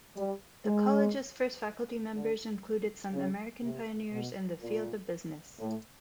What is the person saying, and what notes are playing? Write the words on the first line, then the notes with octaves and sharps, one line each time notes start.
The college's first faculty members included some American pioneers in the field of business.
G3
G#3
D3
C#3
C3
B2
A#2
A2